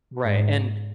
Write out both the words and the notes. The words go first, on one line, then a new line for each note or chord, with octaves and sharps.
Right, and,
G#2